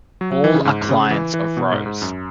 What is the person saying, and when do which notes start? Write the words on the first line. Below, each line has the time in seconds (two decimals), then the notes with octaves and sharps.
All are clients of Rose.
0.21 F#3
0.32 F#3
0.44 E3
0.54 C#3
0.65 G#2
0.89 C#3
1.11 E3
1.34 E3
1.57 B2
1.72 G#2
1.86 G#2
2.02 F#2